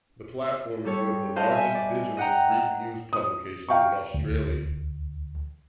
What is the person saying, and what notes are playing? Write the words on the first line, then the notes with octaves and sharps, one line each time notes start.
The platform is one of the largest digital Greek news publications in Australia.
G3 A4 C#5
B4 C5 D#5 F5 A5
E5 G#5
D5
D#5 F#5 G5 A#5
D#6
F5 G5 A#5 C#6
D2